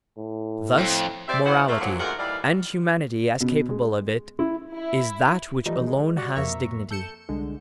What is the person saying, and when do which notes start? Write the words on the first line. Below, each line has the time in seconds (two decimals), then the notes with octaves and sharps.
Thus morality, and humanity as capable of it, is that which alone has dignity.
0.17 A2
0.78 F2
1.28 C3 C4 C5 D5 E5
1.45 D2 A2 E4 C5 F#5
1.68 A3 A#3
1.80 A#2 D3 F3 F#3
1.99 D2 G#2 F4 A#4 F#5
2.19 D#2 E3 G3 A3 D5 F5
3.40 B2
3.69 G#3
4.39 E4
4.75 E4
5.66 E3 F3 G3 A3 D#4
5.87 G#3
6.16 G3 F#4 D5 F#5
6.35 F2 A#3 E5 A#5 C#6
6.91 A4 G6 C#7 E7
7.29 C2 D3 G#3